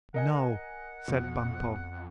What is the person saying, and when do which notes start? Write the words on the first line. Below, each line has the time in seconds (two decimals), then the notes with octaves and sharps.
"No," said Bumpo.
0.14 A#4 D#5 F#5 G#5
0.34 F#5
1.08 F2 B2